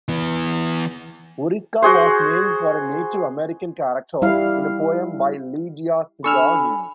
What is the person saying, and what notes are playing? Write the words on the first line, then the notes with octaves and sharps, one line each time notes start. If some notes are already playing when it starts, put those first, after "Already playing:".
Oriska was named for a Native American character in a poem by Lydia Sigourney.
E3 B3
F#4 G#4 C5
G3 E4 F5
D4 A4 G#5 B5 C#6 E6 F6